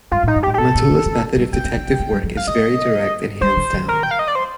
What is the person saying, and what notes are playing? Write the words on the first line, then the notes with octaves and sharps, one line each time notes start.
Matula's method of detective work is very direct and hands-down.
G2 F4
A#2
D#4
G2
G4
A2
G4
A#2 A4
A#2
D3
D#3
A3
G3
A#3 G5
C4
D4
C4
A#3
G3
F3
G3 F5
A3 D#5
G3 C5
D3
D#3
A#4
G5
F5
D#5
D5
C5